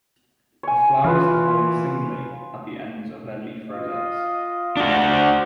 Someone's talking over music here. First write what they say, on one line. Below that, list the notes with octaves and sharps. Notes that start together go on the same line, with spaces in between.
The flowers are borne singly at the ends of the leaf rosettes.
C#5 G#5
E3 F4 B4 F5
F4 D#5 F5
D4 F#4
C5 F#5